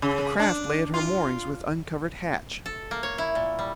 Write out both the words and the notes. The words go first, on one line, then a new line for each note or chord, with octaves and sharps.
The craft lay at her moorings with uncovered hatch.
C#3
D4
F4
A4
A#3
C#5
E4
A#2
G3